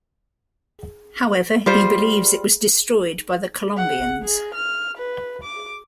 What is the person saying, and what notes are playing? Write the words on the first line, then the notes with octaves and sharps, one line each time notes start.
However, he believes it was destroyed by the Colombians.
G3 F4 C5
F#5
G#4
F6
B4
D6